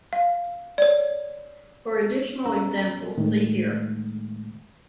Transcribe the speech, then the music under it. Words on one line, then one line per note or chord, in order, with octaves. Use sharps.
For additional examples, see here.
F5
C#5 D5
B3 C#4 A#5 E6
A2 D#3 G#3 A3